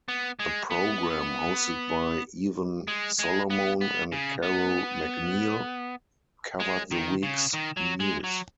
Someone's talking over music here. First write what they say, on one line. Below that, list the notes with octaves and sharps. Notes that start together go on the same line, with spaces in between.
The program, hosted by Evan Solomon and Carole MacNeil, covered the week's news.
B3
G#3
B3
G#3
G#3
B3
B3
C#3
B3
G#3
D#3
C#3
D#3
F#3
G#3
F#3